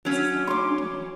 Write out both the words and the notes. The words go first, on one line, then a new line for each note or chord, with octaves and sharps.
This is the home day.
F#3 C#4
C6 D6